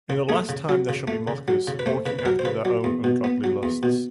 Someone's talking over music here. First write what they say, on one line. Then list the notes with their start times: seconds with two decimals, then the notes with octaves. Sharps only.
In the last time there shall be mockers, walking after their own ungodly lusts.
0.10 C#3
0.29 A3 G#4
0.49 C#3
0.69 F#3
0.89 C#3
1.08 A3
1.27 C#3
1.48 F#3
1.67 C#3
1.79 B4
1.86 A3 C5
2.06 C#3 B4
2.19 B4
2.25 F#3 A#4
2.39 C5
2.45 C#3 B4
2.65 F#3
2.84 E2
3.04 B2
3.24 B3
3.44 F#3
3.63 E2
3.83 B2